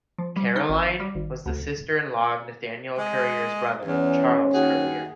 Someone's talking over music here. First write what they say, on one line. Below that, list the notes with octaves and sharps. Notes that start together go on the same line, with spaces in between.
Caroline was the sister-in-law of Nathaniel Currier's brother, Charles Currier.
F3
G3
D#4
G#1
G3
G#1
D2
G#3 D#5
E2 C#4
D#2 F#4 G#4